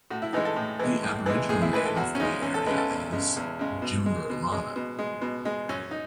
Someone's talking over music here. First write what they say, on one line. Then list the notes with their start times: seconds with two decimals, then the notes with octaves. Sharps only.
The Aboriginal name for the area is "Jimberlana".
0.10 A2 F#4
0.22 E4
0.33 E3 G#3 D#4
0.45 A4
0.56 A2
0.79 E3 G#3
1.03 A2
1.26 E3 G#3
1.49 A2 G#4
1.62 E4
1.73 E3 G#3 B4
1.85 A4
1.96 E2 F#4
2.15 C#4
2.20 C#3 D#4
2.23 G#3
2.42 E2 C#4
2.54 A4
2.66 G#3 B4
2.70 C#3
2.78 A4
2.90 E2
3.13 C#3 G#3
3.37 E2
3.59 C#3 G#3
3.82 B2
4.06 G#3
4.30 B2
4.52 G#3
4.76 B2
4.99 G#3
5.21 B2
5.45 G#3
5.69 F#2 C#4
5.91 D#4